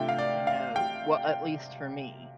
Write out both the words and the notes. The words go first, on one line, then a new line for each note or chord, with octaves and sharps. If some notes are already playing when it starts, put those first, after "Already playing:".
to know well, at least for me.
Already playing: C3 A3 D4 F4 G5
F5
D5
F5
G5